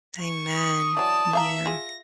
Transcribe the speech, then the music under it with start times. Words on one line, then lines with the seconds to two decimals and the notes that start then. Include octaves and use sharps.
Amen, yeah.
0.21 C#6
0.54 D#6
0.97 E3 F#3 D5 A5
1.33 E3 E5 F5 A#5
1.66 F4 G#4 A#6